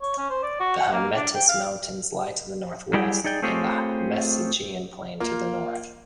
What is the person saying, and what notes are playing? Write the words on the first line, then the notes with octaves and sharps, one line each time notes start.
The Hymettus mountains lie to the northwest and the Mesogeian plain to the north.
C#5
C#4
C5
D5
F#4
F#5
A#3
D4
G5
F5
F#3 G3 E4 G4 G#4 G5
D#4 G#4 D5 G5
A3 C4 F4 G4 G#4 C#5
A#3 F4